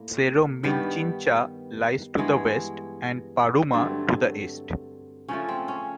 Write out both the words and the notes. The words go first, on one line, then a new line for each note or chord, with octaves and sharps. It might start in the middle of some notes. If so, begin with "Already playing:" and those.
Cerro Minchincha lies to the west and Paruma to the east.
Already playing: A2 A#3
G2 D#3 G3 B3
G2 E3 G#3 B3
G2 D3 F#3 A3 C4
C#3 F3 A3 C#4
C4
C#4